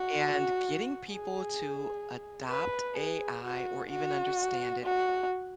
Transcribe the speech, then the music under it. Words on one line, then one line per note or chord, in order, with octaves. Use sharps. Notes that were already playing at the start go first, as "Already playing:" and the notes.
and getting people to adopt AI or even understand it
Already playing: F#4
G#4
B4
G#4
F#4
F#4
F#4